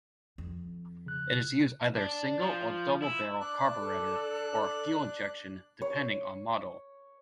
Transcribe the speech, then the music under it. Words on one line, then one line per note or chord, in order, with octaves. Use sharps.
It used either a single or double-barrel carburetor or fuel injection, depending on model.
F2
C#3 F#6
D4
F3
E4
D4 D5 F#6
A4
C#5